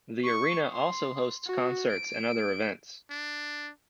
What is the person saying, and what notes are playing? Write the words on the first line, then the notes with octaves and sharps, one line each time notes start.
The Arena also hosts concerts and other events.
C#6
C6
F#4
D7
D4